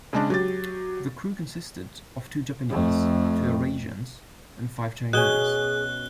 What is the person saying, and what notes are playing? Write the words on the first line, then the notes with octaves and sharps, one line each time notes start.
The crew consisted of two Japanese, two Eurasians, and five Chinese.
C#3 G#3 D4
F#3 G4 A6
F2 A3
B2 C#4 G#4 F#6 G7